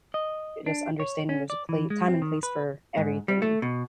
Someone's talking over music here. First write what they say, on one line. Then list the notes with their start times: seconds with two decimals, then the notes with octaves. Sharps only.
just understanding there's a pla time and place for everything
0.14 D#5
0.66 D4
1.00 C#5
1.29 C#4
1.50 D5
1.69 E3
1.90 G#3
2.08 C4
2.22 D#3
2.43 B4
2.97 G#2
3.28 G3
3.42 A3
3.62 B2